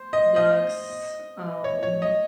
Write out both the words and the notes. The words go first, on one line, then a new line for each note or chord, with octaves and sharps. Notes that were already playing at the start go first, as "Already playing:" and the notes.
ducks, um,
Already playing: C5
D#5
D#5
C#5
C#5
D#5